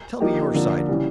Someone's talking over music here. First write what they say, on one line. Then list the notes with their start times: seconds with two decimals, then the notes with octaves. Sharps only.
Tell me your side.
0.20 F3 A#3 D#4 G4
0.54 D3 F3 A#3
0.88 C#3 E3 G3